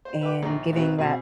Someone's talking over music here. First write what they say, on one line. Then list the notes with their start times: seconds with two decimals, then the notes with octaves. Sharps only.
and, giving that
0.05 C5
0.21 B4 E5 G5 D6
0.42 A#1 D#3 A#5
0.73 B1 C4 F#4 B4
0.98 B2 C4 G#4